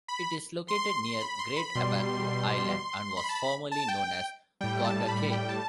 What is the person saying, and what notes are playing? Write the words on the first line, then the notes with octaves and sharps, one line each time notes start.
It is located near Great Abaco Island and was formerly known as Gorda Cay.
B5
C6
C6
B5
C6
B5
B2 G3 C6
B5
A5
B5
A5
G5
A2 G3 G5
A5
B5
G5
A5